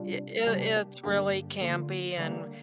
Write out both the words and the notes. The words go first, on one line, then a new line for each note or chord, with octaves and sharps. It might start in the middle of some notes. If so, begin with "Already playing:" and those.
y it it's really campy, and
Already playing: C3 G3 D4 F4
C3 G3 A#3 D4 G4
G2 D3 A#3 D4 G4
D3 A#3 F4
D3 G3 A#3